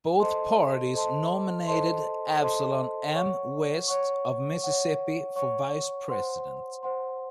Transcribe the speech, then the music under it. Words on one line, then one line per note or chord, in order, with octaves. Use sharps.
Both parties nominated Absolom M. West of Mississippi for Vice President.
A4 C5 D#5 A5 C6
A4 C5 D#5 A5 C6
A4 C5 D#5 A5 C6
A4 C5 D#5 A5 C6
C#5 F#5 C#6
C#5 F#5 C#6
C#5 F#5 C#6
C#5 F#5 C#6
C5 F#5 C6
C5 F#5 C6